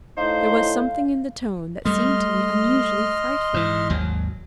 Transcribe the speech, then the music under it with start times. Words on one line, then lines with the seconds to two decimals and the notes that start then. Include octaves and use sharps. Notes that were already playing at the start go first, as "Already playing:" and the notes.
There was something in the tone that seemed to me unusually frightful.
0.17 A2 D#4 C5 F5
1.85 G3 A3 D#5 C6 F6
3.54 G#2 E3
3.90 G#1 D#2 F#3